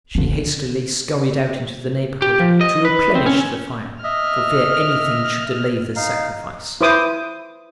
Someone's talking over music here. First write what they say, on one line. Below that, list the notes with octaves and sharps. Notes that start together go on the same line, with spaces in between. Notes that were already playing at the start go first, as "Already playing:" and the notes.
She hastily scurried out into the neighborhood to replenish the fire, for fear anything should delay the sacrifice.
D3 C#4
G4
F3
D#5
B4
C4
C#4
D#5 E5 F6
D#4 F5
E4 B4 C5 D6 D#6